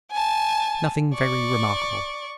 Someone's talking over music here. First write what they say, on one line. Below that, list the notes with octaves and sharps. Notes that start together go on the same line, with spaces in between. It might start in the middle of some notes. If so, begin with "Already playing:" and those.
Nothing very remarkable.
G#5 A5
D5 C#6